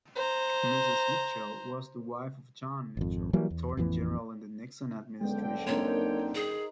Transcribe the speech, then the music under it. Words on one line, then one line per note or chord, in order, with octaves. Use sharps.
Mrs. Mitchell was the wife of John Mitchell, Attorney-General in the Nixon administration.
C5 A#5
G#1 F2
E3 F#3 G3 A#3
E2
A1 F2 E3 B3
F#1 D3 G#3 B3 G5
A#3 C4 D4 D#4 A#4 C5 C#5
G#4